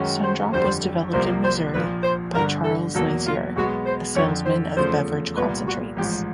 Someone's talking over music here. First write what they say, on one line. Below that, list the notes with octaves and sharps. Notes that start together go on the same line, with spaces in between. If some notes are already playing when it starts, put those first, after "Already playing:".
Sun Drop was developed in Missouri, by Charles Lazier, a salesman of beverage concentrates.
Already playing: F#2 D#3 G#3 C#4 F#4
C5
G1 F2 D3 G3 C5
C2 C3 F3 A#3 C5
C5
A#1 A#2 F3 B4
C5
G1 G2 D3 A#4
A4
E2 B2 F#3 A#3 A4
F4
B1 B2 G#3 B3 F#4
C5
F2 D3 F3 C#5
C5
E2 C#3 F3 A3 C5
C2 A#2 G3 B3 B4
F#4
A1 G#2 F3 G4